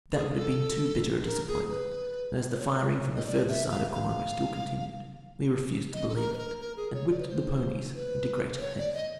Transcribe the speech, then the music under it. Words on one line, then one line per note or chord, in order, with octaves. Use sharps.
But that would have been too bitter a disappointment, and as the firing from the further side of Coamo still continued, we refused to believe it, and whipped the ponies into greater haste.
G#4
A4
A#4
G#4
B4
C5
C#5
D#5
D5
E5
F5
F5
D#5
A4
A#4
B4
A#4
A#4
G#4
C#5
D5
B4
C5
B4
C5
C#5
D5
D#5